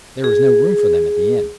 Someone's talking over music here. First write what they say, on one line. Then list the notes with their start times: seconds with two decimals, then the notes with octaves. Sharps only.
There was no room for them at the inn.
0.24 G#4